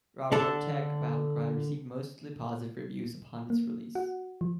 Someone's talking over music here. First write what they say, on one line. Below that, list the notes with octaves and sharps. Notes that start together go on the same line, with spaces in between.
"Robotech: Battlecry" received mostly positive reviews upon its release.
D3 D4 A4
A#3
F#4 F#5
F3